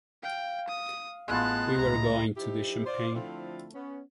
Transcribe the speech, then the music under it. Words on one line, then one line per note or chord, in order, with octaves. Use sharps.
We were going to the Champagne.
F5 G5
D#6
A1 G#3 B3 E4 F4 A5 F#6
C#2 A2 A#5
F3 D#4 E4 G4
F4 C5 D5
D3 F3 A3 C4 E4 F4
B3 C#4